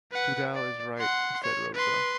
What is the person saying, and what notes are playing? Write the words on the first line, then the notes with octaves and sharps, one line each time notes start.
"Dougal is right," said Rosa.
B4 F#5
D5
F#5 C6
C#5
B4 C6